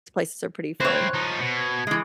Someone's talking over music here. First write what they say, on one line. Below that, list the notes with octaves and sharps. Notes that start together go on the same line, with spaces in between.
places are pretty fun.
C4 E4 C5 C#5 F#6
F3 D#4
B2 C#7
G#6
E3 G#3